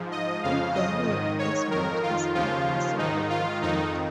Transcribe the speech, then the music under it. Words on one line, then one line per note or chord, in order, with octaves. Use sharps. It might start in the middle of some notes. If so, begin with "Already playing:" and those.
He garnered as much as eight percent of the vote.
Already playing: G#2 F3
D#5
F2 C#3 F3 F5
D#5
G#2 D#3
C#5
F2 D#3 A#4
F4
D#2 C#3 F3 F4
G#2 D#3 D#4
F4
F2 D#3 D#4